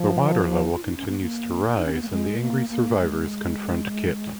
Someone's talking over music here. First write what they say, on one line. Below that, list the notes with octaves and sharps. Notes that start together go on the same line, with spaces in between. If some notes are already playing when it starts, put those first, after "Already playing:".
The water level continues to rise and the angry survivors confront Kit.
Already playing: F3
F4
D#4
C#4
B3
A#3
D#4
C#4
B3
A#3
G#3
A#3
A#3
G#3